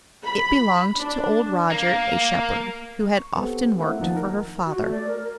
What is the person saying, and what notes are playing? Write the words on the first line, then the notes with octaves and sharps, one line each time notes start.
It belonged to old Roger, a shepherd, who had often worked for her father.
B5
D4
A#3
C#6
B3 C4 G4 A4
A3 A#3 C4 E4 F#5
D#2 F3 A#3 D#4 F#5 A5
A#4
F#4
A3
D5
A#4
A#4